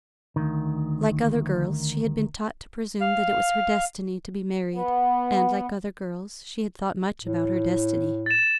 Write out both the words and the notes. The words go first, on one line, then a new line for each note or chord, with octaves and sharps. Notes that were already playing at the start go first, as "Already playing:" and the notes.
Like other girls she had been taught to presume that it was her destiny to be married, and like other girls she had thought much about her destiny.
D2 D#3
F5
B3
A2
A6 E7